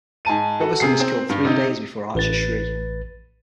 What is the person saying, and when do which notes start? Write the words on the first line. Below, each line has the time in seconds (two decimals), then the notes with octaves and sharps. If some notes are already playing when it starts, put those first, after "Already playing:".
Robinson was killed three days before Archer-Shee.
0.25 G#2 G#5 A5 D#7
0.60 F#4 A4 F#5
0.80 C3 G#4 C7
1.00 C4
1.29 G2
1.45 C3 D#4
2.15 A1 B4 A6